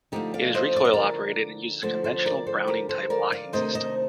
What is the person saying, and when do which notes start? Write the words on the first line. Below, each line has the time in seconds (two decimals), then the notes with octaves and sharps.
It is recoil operated and uses a conventional Browning-type locking system.
0.12 D3 F3 A3 D#4 G4
0.34 D5 F5
0.54 C5 D#5
0.76 D5
0.85 D#5
0.94 A#4 D5
1.82 D3 F3 A3 A4 C5
2.04 A4 C5
2.25 A#4 D5
2.47 A4 C5
2.67 G4 A#4
2.89 A4 C5
3.10 A#4 D5
3.32 D5 F5
3.53 C3 D#3 A3 D4 C5 D#5
3.75 C5 D#5